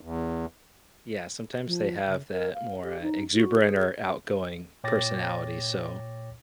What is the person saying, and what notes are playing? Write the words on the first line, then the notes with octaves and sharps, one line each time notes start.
Yeah, sometimes they have that more, uh, exuberant or outgoing personality, so,
E2
F3
C#3
A#4
F5
G4
D#4
F#4
G#4
A#2 C#5 G5 D6 A6 A#6